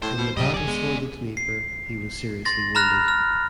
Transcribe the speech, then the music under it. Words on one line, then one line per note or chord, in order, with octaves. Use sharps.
In the battles for the Dnieper he was seriously wounded.
A2 C5
B2
D2 A2 C3 F#3 G3 D#5
E1 D5 G#5
G#3 B3
C7
C6 A6 A#6
A#5 B5 F6 F#6 A#6 F7
F6